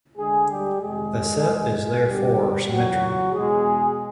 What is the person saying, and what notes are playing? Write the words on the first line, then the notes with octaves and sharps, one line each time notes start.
The set is therefore symmetrical.
D2 D3 G#3 G#4
G3 G4
F2 C3 D#3 G#3 G#4
C2 B2
D2 D3 G3 G4
F2 C#3 E3 F#3 F#4
E2 B2 G#3 G#4